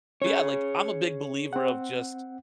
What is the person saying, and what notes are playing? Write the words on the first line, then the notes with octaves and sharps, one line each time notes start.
but yeah, like, I'm a big believer of just
C#4 G#4 C#5
C4 F#5